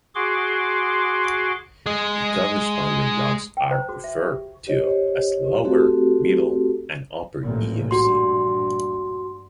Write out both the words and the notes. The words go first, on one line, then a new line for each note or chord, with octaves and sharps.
The corresponding rocks are referred to as lower, middle, and upper Eocene.
F#4 G#4 C6 D6
G#3 G#4
G5
C5 A#5
F#4 G#4
E5
G4
G4 C5 C#5 D#5
A3 C4 F#4 G4 A4
A1 A#2
A#1 G2 F#4 C6